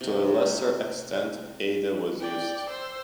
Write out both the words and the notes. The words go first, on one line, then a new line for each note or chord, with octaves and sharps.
To a lesser extent, Ada was used.
C3
D5 G5
C5 E6